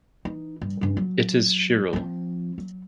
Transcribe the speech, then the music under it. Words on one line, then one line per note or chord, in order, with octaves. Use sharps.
It is chiral.
E3 D#4
G2
G2 C#4
F#3
F3 C4
F#3